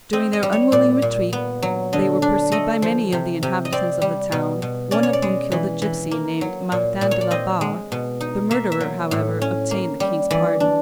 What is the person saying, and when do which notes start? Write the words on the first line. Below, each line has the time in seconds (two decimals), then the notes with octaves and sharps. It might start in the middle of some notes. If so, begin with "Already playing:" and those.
During their unwilling retreat, they were pursued by many of the inhabitants of the town, one of whom killed a gipsy named Martin de la Barre: the murderer, however, obtained the King's pardon.
0.13 C4 D#5
0.33 D#5
0.43 G3
0.52 C#5
0.72 A#2 D5
1.02 A#2
1.33 B3
1.62 F#3
1.93 D3 D#5
2.22 D4
2.52 A3 D#5
2.82 F3
3.12 C3
3.43 C3
3.65 D#5
3.72 C4 D5
4.02 G3
4.32 B2
4.62 B2
4.91 C#4 D5
5.03 C#5
5.13 D5
5.22 G#3
5.52 E3
5.82 E3
6.11 A#3
6.41 F#3
6.72 A#2
7.01 A#2
7.11 C#5
7.21 D5
7.31 C4 D#5
7.61 G#3
7.92 B2
8.21 D#4
8.51 A#3 E5
8.72 E5
8.80 F#3
9.11 A2
9.42 C#4
9.71 A#3
10.00 G3
10.31 E3 D5
10.60 D4